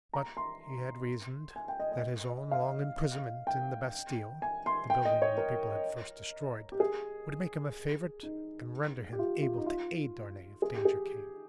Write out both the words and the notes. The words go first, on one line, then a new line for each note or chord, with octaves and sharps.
But he had reasoned that his own long imprisonment in the Bastille--the building the people had first destroyed--would make him a favorite, and render him able to aid Darnay if danger came.
A#5
C6
G#5
G5
D#5
D#5
F5
G5
G#5
C6
G5
D#5
C#5
A#4
G4
G#4
D#4
G4
F4
F4
D#4
F4
G#4
G4
G#4